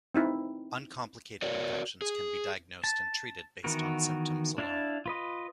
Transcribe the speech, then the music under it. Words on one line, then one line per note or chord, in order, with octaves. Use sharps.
Uncomplicated infections can be diagnosed and treated based on symptoms alone.
C4 D#4 E4
F#4 A#4 C#5 D5
G#4
A5
D#3 E3 B3 F#4 A#4
D4 E4 F5 A5
F4 B4 D#5